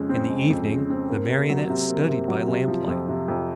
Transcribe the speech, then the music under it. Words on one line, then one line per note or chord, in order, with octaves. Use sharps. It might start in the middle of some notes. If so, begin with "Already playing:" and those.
In the evening the Marionette studied by lamplight.
Already playing: F2 C#3 G#3
C4
G#3
F2
C#3
C4
A#3
C3
F#3
C3
A#3
C3
F#3
C3
F3
F2
C3
F2